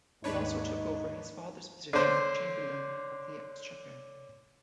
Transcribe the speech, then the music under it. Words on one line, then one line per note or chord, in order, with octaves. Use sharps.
He also took over his father's position of Chamberlain of the Exchequer.
D#2 G#2 D4 D#4 B4 C#5
D3 C5 C#5 C7